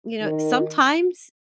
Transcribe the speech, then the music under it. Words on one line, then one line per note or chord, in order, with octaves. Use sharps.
you know, sometimes
D#3